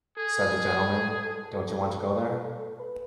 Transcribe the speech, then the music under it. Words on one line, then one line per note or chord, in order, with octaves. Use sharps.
Said the gentleman, "Don't you want to go there?"
G#4 A4
A4
B4